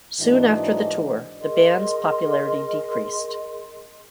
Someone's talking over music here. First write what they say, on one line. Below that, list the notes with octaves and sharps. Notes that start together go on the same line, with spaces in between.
Soon after the tour, the band's popularity decreased.
G#2 E3 D4 F#4 A#4 D#5
G#4 A#4 D#5 C6